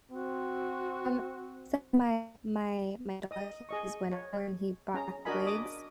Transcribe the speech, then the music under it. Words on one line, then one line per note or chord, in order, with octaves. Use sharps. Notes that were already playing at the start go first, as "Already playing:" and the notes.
Um, so my my my dog, he's went out and he ba twigs,
C4 F#4
D#5 D#6
G#4 D#5 C#6
C#5
C#4 G#4 A#5
D4 F#4 A#4 D#5 G#5 B5
D#5 D6 D#6